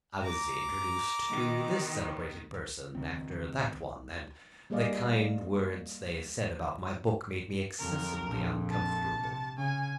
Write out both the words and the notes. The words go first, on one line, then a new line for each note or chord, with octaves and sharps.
I was introduced to this celebrated person after that one, and the kind words they said about my book made me excessively uncomfortable.
A#5 D6
B2 D#3 B3
C#2 D#3 C4
G3 A#3 G#4 D5 D#5 F5
F2 F#3 A#4
A#1 F2
A5
C3
C#3 G#5